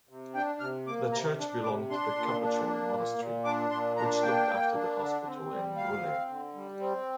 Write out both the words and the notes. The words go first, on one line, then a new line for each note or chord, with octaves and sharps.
The church belonged to the Capuchin monastery, which looked after the hospital in Bulle.
C3
D4 G5
C3 F6
A#3 D6
C3 A#5
D4
C3 D6
D4 C6
A#2
D4
A#3
A#2
A#2
D4 D6
A#2 C6
D4 A#5
A#3 G5
A#3
D4
D3
C4
G3
D2 F5
C4
D3
G3
C4